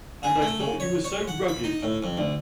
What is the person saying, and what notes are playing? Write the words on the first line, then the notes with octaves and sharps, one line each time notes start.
And I thought you were so rugged!
G#4
A3
C#3
C#5
C#5
F#5
B5
D#4
A2
F2
D2